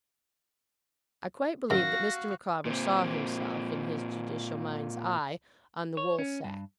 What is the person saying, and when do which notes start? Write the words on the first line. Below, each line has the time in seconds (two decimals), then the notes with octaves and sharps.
I quite believe that Mr. Micawber saw himself, in his judicial mind's eye, on the woolsack.
1.70 F#2 D#3 F#4 F5 A#6
2.65 A#2 C4
5.97 C#5
6.19 C#4
6.44 G2